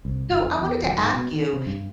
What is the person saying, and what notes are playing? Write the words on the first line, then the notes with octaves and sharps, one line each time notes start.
So I wanted to ask you,
C2
G1
F2
E2
D1
G#2
B2
D#3
C3
G2